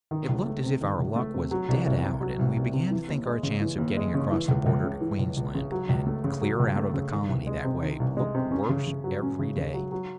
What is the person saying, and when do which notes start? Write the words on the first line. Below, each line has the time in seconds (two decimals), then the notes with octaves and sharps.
It looked as if our luck was dead out, and we began to think our chance of getting across the border to Queensland, and clear out of the colony that way, looked worse every day.
0.11 D#3
0.29 C#2
0.46 A3
0.63 C3
0.81 D#3
0.99 C#2
1.16 A3
1.34 C3
1.51 F#3
1.68 C2
1.87 C2
2.03 C3
2.21 F#3
2.39 C2
2.56 C2
2.73 C3
2.90 E3
3.08 D#2
3.26 G#3
3.43 C#3
3.61 E3
3.78 D#2
3.97 G#3
4.14 C#3
4.31 E3
4.48 C#2
4.66 C#2
4.84 C#3
5.01 E3
5.19 C#2
5.37 C#2
5.54 C#3
5.72 F#3
5.89 C#2
6.07 A3
6.24 C#3
6.42 F#3
6.59 C#2
6.76 A3
6.94 C#3
7.12 D#3
7.29 C2
7.47 G#3
7.64 C3
7.82 D#3
8.00 C2
8.17 G#3
8.35 C3
8.51 C#4
8.69 C#3
8.87 C#3
9.04 F#3
9.22 C#4
9.39 C#3
9.56 C#3
9.74 F#3
9.92 F#3